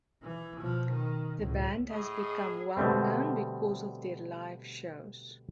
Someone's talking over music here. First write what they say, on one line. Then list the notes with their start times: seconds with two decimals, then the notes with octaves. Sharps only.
The band has become well known because of their live shows.
0.23 E3
0.60 B2 F3
0.90 D#3
1.38 C#2 A2
1.91 A2 G#4 D#5
2.77 B2 D3 G3 A3 C4